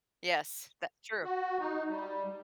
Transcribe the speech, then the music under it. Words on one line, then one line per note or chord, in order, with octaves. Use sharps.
Yes, that true.
F#4
D#4
G3